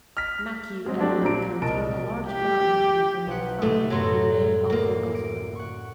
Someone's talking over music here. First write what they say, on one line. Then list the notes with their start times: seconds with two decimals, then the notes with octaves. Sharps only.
Matthew and Luke contain a large amount of material found in no other gospel.
0.17 F6 B6
0.86 F#3 G#3 C4
0.98 F#3 A3 C4 D4 G4 D5
1.22 A#2 C4 A#5 D7
1.62 C2 A#4 D#5 A5 D7
2.29 G4
3.27 B1 F#5
3.62 A2 C3 A3 D#4
3.90 F#2 B2 F#3 A4 C6
4.70 D2 A#3 D5
5.15 D7
5.56 F#5 C#6